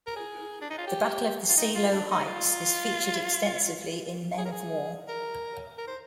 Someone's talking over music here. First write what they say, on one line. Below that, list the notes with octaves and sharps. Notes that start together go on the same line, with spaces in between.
The Battle of the Seelow Heights is featured extensively in Men of War.
A#4
G#4
D4
D#4
F4
G4
F4
D#4
F4
D4
D#4
F4
G#4
A#4
G#4
A#4
A#4
C5